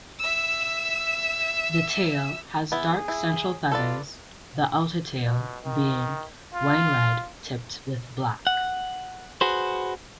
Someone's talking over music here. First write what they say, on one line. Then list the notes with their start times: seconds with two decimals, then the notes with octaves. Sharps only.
The tail has dark central feathers, the outer tail being wine-red tipped with black.
0.19 E5 E6
2.72 B3 E4 G#4
3.08 E4
3.72 F4 A4 B4 D5
5.25 B2
5.64 D#3
6.54 F4
8.47 F#5
9.41 F#4 G#4 B4 C5